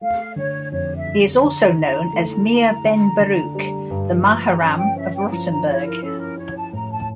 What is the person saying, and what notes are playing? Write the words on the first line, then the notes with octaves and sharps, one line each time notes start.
He is also known as Meir ben Baruch, the Maharam of Rothenburg.
A3 F5
D3 C#5
F2 C#5
E5
F2
D3 A#5
E4
A3
A3
D3
D3
G3
G2
F3 A#5
A#5
C#4 A5
G5
C#4 E5
G5
F3 A#5
A#5
E4 C#5
A#4
C#4 A4
A#4
C#4 C#5
A5
A2 A#5
A5